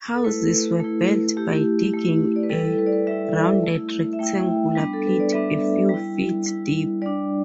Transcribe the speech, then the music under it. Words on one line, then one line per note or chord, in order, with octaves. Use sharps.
Houses were built by digging a rounded rectangular pit a few feet deep.
A4
A3 E4 B4
A3 E4
A3 E4 G4
A3 E4
D5
B4
G3 E4 A4
A4
B4
D5
B4
G3 E4 E5
A3 E4
E5
A3 E4 G5
G3 B3 D4
A4
B4
D5
G3 B3 D4 E5
G3 E4
G3 E4
G3 D4 D5